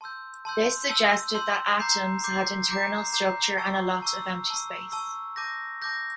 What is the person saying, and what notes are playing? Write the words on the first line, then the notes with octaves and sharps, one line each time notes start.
This suggested that atoms had internal structure and a lot of empty space.
A5 C6 E6 G6
A5 C6 E6 G6
A5 C6 E6 G6
A5 C6 E6 G6
A#5 D6 G6 C7
A#5 D6 G6 C7
A#5 D6 G6 C7
A#5 D6 G6 C7
A5 C#6 E6
A5 C#6 E6
A5 C#6 E6
A5 C#6 E6
A5 D6 G6 A#6
A5 D6 G6 A#6